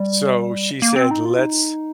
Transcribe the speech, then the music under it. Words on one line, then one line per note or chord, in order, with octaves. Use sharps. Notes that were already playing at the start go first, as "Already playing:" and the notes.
So she said, "Lets"
Already playing: G3
A#3
C4
D#4
F4
D#4